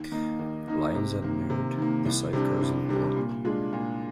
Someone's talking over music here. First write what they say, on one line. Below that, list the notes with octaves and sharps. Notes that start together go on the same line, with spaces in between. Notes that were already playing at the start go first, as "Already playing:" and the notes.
Lyons admired the sidecars and bought one.
Already playing: D#2
D#3 A#3 D#4
D#2
D#3 A#3 D#4
C3
D#3 A#3
C3
D#3 A#3
C2
C3 G3 D4
C2
C3 G3 D4
A#2
G#3 D4 F4
A#2